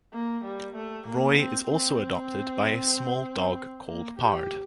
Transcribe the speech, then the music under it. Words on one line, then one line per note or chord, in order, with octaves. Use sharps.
Roy also is adopted by a small dog called Pard.
A#3
G3
A3
A#3
C4
C4
A#3
G4